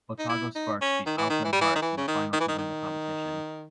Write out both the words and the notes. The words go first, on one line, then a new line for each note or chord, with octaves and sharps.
Otago Sparks beat Auckland Hearts in the final to win the competition.
D#4
E4
D#4
C#4
D#3
E3
D#3
E3
G3
E3
D#3
E3
C#3
D#3
D#3
E3
D#3
D#3